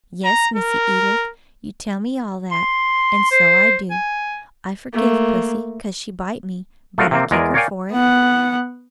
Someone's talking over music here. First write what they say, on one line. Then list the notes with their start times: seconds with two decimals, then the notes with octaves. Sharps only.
"Yes, Missy Edith, you tell me all that, and so I do; I forgive pussy 'cause she bite me, but I kick her for it."
0.25 A#5
0.56 A#4
2.51 C6
3.31 C5
3.91 G#5
4.93 A3 A#3
6.98 A3 B3 F4 F#4 A#4
7.11 C3 A#3 C4
7.31 E2 G#3 A#4 D5 G#5
7.54 A#4 C#5 D5 F5 G5 G#5
7.92 B3 F#5